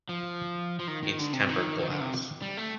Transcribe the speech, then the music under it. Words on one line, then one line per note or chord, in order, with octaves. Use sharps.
It's tempered glass.
F3
F3
D#3
D#3
D3
C3
D#3
D#3
D3
C3
G3
A3